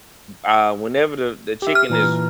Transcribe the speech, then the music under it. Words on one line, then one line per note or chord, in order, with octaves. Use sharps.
uh, whenever the the chicken is
G4 E5
F6
A#2 E3 A#5